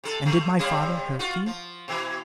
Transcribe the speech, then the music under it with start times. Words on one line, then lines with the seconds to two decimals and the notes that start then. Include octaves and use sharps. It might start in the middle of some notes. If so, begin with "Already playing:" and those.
"And did my father hurt thee?"
0.04 C3 A4
0.25 C3 A3
0.59 C3 G3 C4
1.19 F4 F#4
1.46 F3
1.88 B2 E3